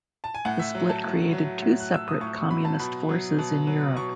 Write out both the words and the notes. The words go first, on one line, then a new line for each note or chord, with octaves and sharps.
The split created two separate communist forces in Europe.
A5
G#5
A2 F#5
E5
F#3
A5
A2
F#3
A2
F#6
F#3 E6
D#6
A2 C#6
C#6
F#3 B5
A5
B2 B5
F#3
B2
F#3
B2 C#6